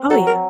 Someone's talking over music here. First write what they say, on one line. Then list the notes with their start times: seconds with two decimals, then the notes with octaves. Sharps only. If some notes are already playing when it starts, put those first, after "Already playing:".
Oh, yeah.
Already playing: C4
0.10 F#3 A4
0.27 A#4